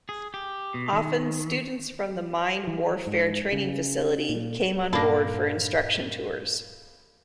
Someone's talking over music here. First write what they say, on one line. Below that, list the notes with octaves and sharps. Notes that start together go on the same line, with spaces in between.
Often students from the Mine Warfare Training Facility came on board for instruction tours.
G#4
G4
B2
D#3
E3
G#2
C#3
A#2
G2 A#2 A#3 D4 A4 B5 A#6